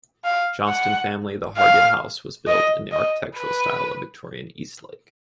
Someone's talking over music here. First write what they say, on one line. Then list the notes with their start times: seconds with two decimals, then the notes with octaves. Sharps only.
Johnston family, the Hargitt House was built in the architectural style of Victorian Eastlake.
0.24 F5
0.69 F#5
1.58 F5
2.47 D#5
2.92 D#5
3.36 B4